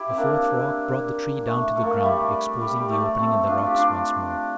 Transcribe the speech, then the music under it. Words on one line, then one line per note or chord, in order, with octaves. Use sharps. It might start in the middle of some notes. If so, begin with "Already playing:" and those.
The fourth rock brought the tree down to the ground, exposing the opening in the rocks once more.
Already playing: E4 G4
C4
A#3 D4
A3
A3
A#3
A3
G3
G3
G3
A3
A3 C4
D4 F4
G4
D4 F4